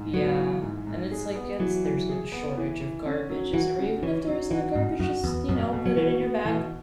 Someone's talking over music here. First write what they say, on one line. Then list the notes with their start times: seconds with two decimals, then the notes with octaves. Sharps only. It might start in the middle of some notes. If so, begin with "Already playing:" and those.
Yeah, and it's like it's there's no shortage of garbages or even if there isn't a garbage, just, you know, put it in your bag.
Already playing: G#2
0.14 F#3 B3
0.38 E3
0.62 G#2
0.87 G#2
1.11 G#4
1.35 B3
1.59 E3 F#3
1.84 E3
2.09 G#4
2.32 B3
2.57 E3
2.81 E3
3.06 C#4
3.30 F#3
3.54 E3 F#4
3.79 C#3
4.03 E3 C#4
4.27 F#3
4.51 E3 F#4
4.76 G#2 C#3
5.00 F#2 F#4
5.24 E2 B3
5.49 F#2 B2
5.73 B2
5.86 F#3
5.97 E3 F#4
6.22 B3
6.45 B2 E3